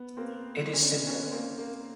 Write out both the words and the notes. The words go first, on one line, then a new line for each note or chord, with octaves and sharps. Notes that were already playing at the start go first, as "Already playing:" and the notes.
It is simple.
Already playing: B3
A#3 C4
C#4
C4 D4
B3 C#4
A#3 C4
A#3